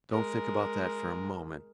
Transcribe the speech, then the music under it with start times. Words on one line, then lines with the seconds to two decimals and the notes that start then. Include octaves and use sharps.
Don't think about that for a moment.
0.11 G#3 A#4